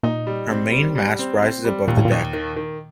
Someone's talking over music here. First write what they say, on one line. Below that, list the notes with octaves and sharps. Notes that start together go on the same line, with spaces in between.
Her main mast rises above the deck.
A#2 D#4
G3
C4
G3
G3
C4
C4
G3
D#2 A#2
A2
A#2
D#2
D#3
D#3